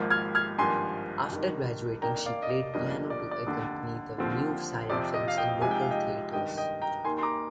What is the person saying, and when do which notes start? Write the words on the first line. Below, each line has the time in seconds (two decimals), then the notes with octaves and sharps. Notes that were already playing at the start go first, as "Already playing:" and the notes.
After graduating, she played piano to accompany the new silent films in local theaters.
Already playing: G#1 G#2 F3 A#3
0.11 F6 G#6
0.35 F6 G#6
0.58 G#1 G2 F3 A#3 G#5 C6
1.31 G#1 G2 D#3
2.02 F2 D#3 A#3 D4 G5 A#5
2.26 D5 F5
2.43 D#5
2.50 D5
2.74 G1 G2 F3 A#3 D4 D#5
3.10 D5
3.31 D5
3.46 F1 D#2 D3
4.18 D#2 D3 F3 C4
4.90 F2 C3 F3 C4 D5
5.14 D#5
5.28 F5
5.37 D#5 G5
5.61 C2 C3 F3 G#3 D#4 G#5
5.71 G5
5.81 F5
5.91 D#5 G5
6.33 G#1 G2 D#3 D#5 G5
6.57 D#5 G5
6.82 G5 A#5
7.05 D#2 D#3 A#3 D#4 G#5 C6
7.18 C6
7.23 A#5 D6